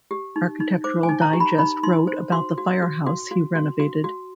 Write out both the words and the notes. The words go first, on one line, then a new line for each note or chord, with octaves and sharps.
Architectural Digest wrote about the firehouse he renovated.
G4
D#4
D#4
C5 D6
G#5
D#4
A#5
G4
B5
D#4 B5
D#4 C6
C5
F#4 C6
F#4
F#4
F#4
F#4
F#4
F#4
F#4